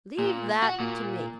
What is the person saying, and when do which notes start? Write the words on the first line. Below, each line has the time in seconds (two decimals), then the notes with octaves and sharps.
"Leave that to me."
0.19 A#2
0.62 F#4
0.80 A#2